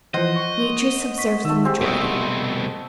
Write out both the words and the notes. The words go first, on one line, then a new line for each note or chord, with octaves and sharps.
Nature subserves the majority.
E3 F3 C5 D#5 F#5
C#6
C#6 B6
D#3 A3 D#4 E5
C4 G4 G#4
C2 B2 A3 G#4 D#6